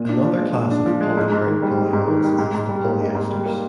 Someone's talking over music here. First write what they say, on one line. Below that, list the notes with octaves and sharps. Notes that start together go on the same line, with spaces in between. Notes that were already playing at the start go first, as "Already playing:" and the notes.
Another class of polymeric polyols is the polyesters.
Already playing: A#2
D4
F3
G#3
A#2
D4
F3
G#3
G#2
G#2
D#3
G3
G#2
G#2
D#3
G3
G#2
G#2
G3
A#3
G#2
G#2
G3
A#3